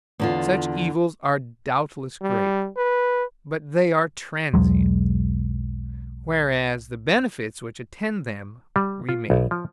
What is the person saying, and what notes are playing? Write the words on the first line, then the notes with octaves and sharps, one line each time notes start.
Such evils are doubtless great, but they are transient; whereas the benefits which attend them remain.
E2 D3 F4
G3
B4
B1 E2 F#3 G#3
G3
F4
B1
F3